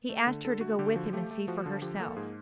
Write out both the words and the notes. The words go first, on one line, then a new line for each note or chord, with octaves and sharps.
He asked her to go with him and see for herself.
A3
D3
D3 A4
A3 F#4
D3 G4
F3 F#4
A3 G4
A3
F3 F#4
D3
F3 G4
A#3 A4
G#2 G#4